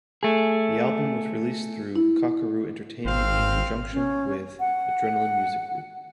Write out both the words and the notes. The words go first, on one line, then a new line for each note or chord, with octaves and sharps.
The album was released through Cockaroo Entertainment in conjunction with Adrenaline Music Group.
A3 G#4
E4
G#1 C4 C5 F5
C#4
F#5